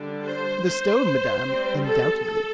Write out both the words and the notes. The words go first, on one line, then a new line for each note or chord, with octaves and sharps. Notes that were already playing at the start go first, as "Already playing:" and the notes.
"The stone, madam, undoubtedly."
Already playing: D3 G3 D4
C5
C5
G3 C4
A4
A4